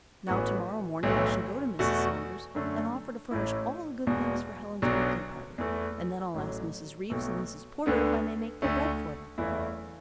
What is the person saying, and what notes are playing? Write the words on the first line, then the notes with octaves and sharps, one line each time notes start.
Now, tomorrow morning I shall go to Mrs. Saunders and offer to furnish all the good things for Helen's birthday party, and then I'll ask Mrs. Reeves and Mrs. Porter if I may make their bread for them.
A1 A2 E3 B3 F#4
B1 A2 E3 A3 F#4
E2 B2 A3 F#4
F#2 D3 A3
A1 A2 A3 E4
E1 E2 B2
B1 B2 F#3 D4
E2 E3 A3
A1 A2 F#3
B1 B2 A3
D2 D3 B3
D2 D3 A3
F#1 E2 E3 A3 E4